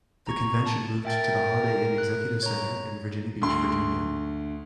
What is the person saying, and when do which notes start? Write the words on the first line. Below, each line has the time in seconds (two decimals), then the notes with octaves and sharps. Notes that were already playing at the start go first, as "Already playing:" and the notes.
The convention moved to the Holiday Inn Executive Center in Virginia Beach, Virginia.
0.27 A#5 C#6 G#6
0.66 A5
1.05 A#4 E5 G5 A6
1.98 F#6
2.43 C#5 A#5
3.42 D2 C6